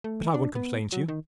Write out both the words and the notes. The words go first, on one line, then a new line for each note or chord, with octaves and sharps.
But I won't complain to you!
A3
D4
B3
F#3
D#3